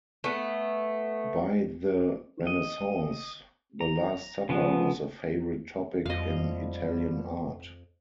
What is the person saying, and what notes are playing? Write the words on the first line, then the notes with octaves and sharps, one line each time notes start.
By the Renaissance, the Last Supper was a favorite topic in Italian art.
A3 B3
D#5
A#5
C#3 F3 B3
F2 D3 F3 G3 D#5 F5